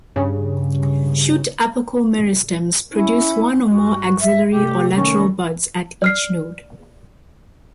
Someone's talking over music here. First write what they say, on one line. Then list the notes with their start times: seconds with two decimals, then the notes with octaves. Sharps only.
Shoot apical meristems produce one or more axillary or lateral buds at each node.
0.16 G2 C#3
2.92 C#4 E4
3.70 G2 G3 F#4
4.20 E5
4.51 C3 A3 G4
4.95 D#3 A3 C#4
6.02 D5 F6 C7